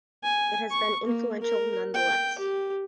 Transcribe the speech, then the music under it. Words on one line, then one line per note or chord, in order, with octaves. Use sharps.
It has been influential nonetheless.
G#5
C#6
A#3
A#4
G5
G4